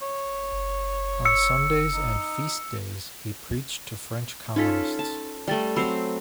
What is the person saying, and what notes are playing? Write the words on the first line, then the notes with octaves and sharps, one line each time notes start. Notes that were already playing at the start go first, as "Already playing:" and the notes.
On Sundays and feast days, he preached to French colonists.
C#5
E6 C#7
D#4
C#4 D#4 F4 A4 B6
A5
G3 A3 D5 G5 A6
F#3 C4 B5 E6 C7